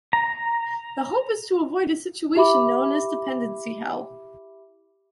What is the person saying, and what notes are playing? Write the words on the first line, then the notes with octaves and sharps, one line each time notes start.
The hope is to avoid a situation known as dependency hell.
A#5
E4 G4 E5 B5 D6